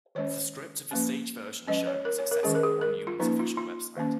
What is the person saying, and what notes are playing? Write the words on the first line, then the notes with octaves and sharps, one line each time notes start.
The script of the stage version show is accessible on Newman's official website.
D#3 G#3 C#4 C#5
F3 A#3 C#4
F3 G#3 C#4 D#5
C#5
A#4
C#5
A#4
D#3 G#3 C#4 G#4
A#4
G#4
A#4
F4
F3 A#3 C#4 D#4
F4
F4
D#3 A#3 C#4